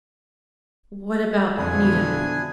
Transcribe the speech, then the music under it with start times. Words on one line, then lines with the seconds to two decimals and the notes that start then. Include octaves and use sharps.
"What about--Nita?"
1.59 F2 B2 D3 D4 E4 G#5 D#6